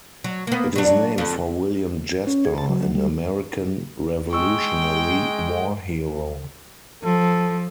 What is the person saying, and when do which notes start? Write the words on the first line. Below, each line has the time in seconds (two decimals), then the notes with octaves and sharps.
It is named for William Jasper, an American Revolutionary War hero.
0.24 F#3
0.47 A#3 B3
0.76 F#3 D4
1.18 F2
2.27 C#4
2.45 G#4
2.58 A5
2.69 F#3
2.83 F#3
2.95 G3
4.33 G#3 G5 C#6 E6
7.04 F3 A4